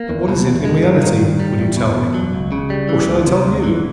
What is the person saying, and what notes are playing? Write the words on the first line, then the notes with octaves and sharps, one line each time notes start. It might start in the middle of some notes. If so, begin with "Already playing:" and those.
But what is it, in reality, will you tell me? Or shall I tell you?
Already playing: A#3
E2
B2
E2
G#3
G2
D#3
G2
G3
E2
B2
E2
F#3
C#2
C#3
G3
E3
D2
C3
D2
E3